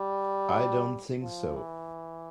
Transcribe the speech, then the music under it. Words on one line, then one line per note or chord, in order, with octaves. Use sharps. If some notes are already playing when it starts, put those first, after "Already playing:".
I don't think so.
Already playing: G3
F3
E3